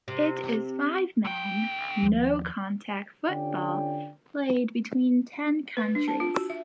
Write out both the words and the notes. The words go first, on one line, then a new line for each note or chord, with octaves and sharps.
It is five man no contact football played between ten countries.
C3
D3 G5
D#2 F3
D3 C#4 F4 G4 D5 G5
B4
D4
A5
F4
F#4
E5